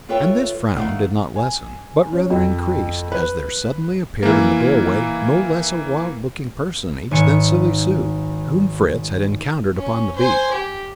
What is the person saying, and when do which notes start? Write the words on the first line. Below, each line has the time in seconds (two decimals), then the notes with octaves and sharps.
And this frown did not lessen, but rather increased as there suddenly appeared in the doorway no less a wild-looking personage than Silly Sue, whom Fritz had encountered upon the beach.
0.09 F4 A4 B4 C#5 E5 G5
0.77 D#3 A3 D4 F5 F#5
1.36 G#5
2.13 C#4
2.30 F2
3.12 B4
4.23 E3 A#3
7.11 G#1 G#5 C#7
9.76 C#4
10.16 C5 G#5
10.52 G4